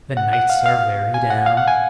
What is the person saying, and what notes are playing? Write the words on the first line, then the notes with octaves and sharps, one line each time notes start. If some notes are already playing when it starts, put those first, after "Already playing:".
"The nights are very damp!"
F#5
F#5
F5
F5
G#5
F#5
F5
F#5
G#5